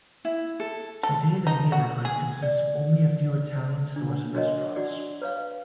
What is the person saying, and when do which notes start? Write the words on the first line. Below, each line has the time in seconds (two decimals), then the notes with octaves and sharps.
Today the neighborhood consists of only a few Italian stores and restaurants.
0.25 E4
0.60 A4
1.03 A4
1.47 D#4
1.72 F#4
2.05 G#4
2.42 D5
3.96 D4
4.34 D4 F#4 A#4 C#5 D#5
4.76 D4 F#4 D5 F#5
5.22 B4 C#5 F5